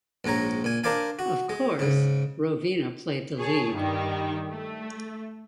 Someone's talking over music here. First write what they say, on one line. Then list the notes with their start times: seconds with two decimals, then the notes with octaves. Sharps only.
Of course, Rovina played the lead.
0.24 A#1 G#2 G#3 C#5 A#5
0.64 A#2 G#5
0.84 D4 A#4 C5 D5 F5 G#5
1.19 F#4
1.49 G#3
1.79 G#2 C#3
3.38 G#4 C#5 A5
3.74 G2 D#3 G3
4.51 A3